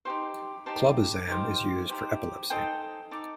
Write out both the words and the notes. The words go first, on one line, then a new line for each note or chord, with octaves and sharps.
Clobazam is used for epilepsy.
D#4 G4 C5 C6
D#4 G4 C5 A5
D#4 G4 C5 F5
D#4 G4 C5
D#4 A4 C5 D#5 G5
D#4 A4 D6